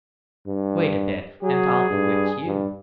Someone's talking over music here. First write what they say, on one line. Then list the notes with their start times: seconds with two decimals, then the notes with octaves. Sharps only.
Wait a bit, and I'll bewitch you!'
0.47 G2
1.43 F#3 G#4
1.90 G2
2.46 G2